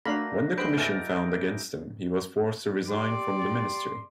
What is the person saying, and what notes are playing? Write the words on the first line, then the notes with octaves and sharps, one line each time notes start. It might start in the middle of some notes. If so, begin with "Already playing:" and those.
When the Commission found against him, he was forced to resign from the ministry.
A3 A#3 D4 F#4 F5 B5 A#6
F#4 G#4 B4 C5 E5 B5 G6 D7
E4 A4 D#5 F#5 G#5 F6 A6 A#6
G4 D5 C6